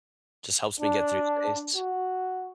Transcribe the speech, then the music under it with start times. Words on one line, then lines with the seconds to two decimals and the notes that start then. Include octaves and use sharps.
just helps me get through the days.
0.80 D4
1.76 F#4